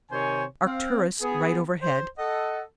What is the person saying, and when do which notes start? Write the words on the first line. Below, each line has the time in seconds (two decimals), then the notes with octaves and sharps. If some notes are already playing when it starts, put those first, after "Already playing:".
Arcturus right overhead.
0.11 C3 D#3 C5 C#5 G#5
0.65 C4 F5
1.21 B3 G#4
1.82 C5
2.18 A4 D#5 F#5